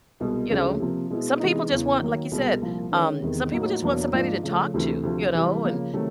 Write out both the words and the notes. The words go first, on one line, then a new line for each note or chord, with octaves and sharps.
you know. Some people just want, like you said um, some people just want somebody to talk to, you know, and,
C2 B2 G#3
D2 C#3 F3 G#3 C#4
C3 F3 A#3
B2 G#3 B3 E4
C3 E3 G#3 B3 D#4
E2 C#3 E3
D#3 F#3 A#3
C2 B2 G#3
C2 A#2 F3
D#3 G#3 C#4
E2 C3 D#3 G#3
A2 F#3 A#3 D#4 F#4
E2 B2 F#3 A#3 D4
G#2 F3 A#3 D4 F4
C#3 F3 A3
D2 C3 E3 A3
D2 C3 F3
C3 E3 G3
C#3 F3 A#3
C3 D#3 F#3 A3